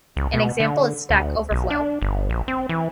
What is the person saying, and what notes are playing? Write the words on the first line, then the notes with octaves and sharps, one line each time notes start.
An example is Stack Overflow.
C#2
B2
D3
D2
B1
D4
G1
A#1
C4
E3